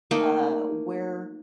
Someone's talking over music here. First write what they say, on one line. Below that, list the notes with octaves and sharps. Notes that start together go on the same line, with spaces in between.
uh, where
A3 A#3 D#4